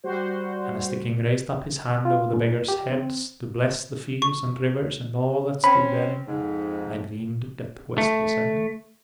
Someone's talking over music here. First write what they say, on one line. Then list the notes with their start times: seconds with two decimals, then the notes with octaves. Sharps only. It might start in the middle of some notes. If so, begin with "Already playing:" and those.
And as the King raised up his hand over the beggars' heads to bless the fields and rivers and all that stood therein, I dreamed that the quest was ended.
0.04 G3 F#4 C5
2.05 F4
2.33 A#2
2.68 G4
2.92 C4
4.22 C#6
5.64 C4 C#4 B5
6.28 F2 G#2
7.98 A3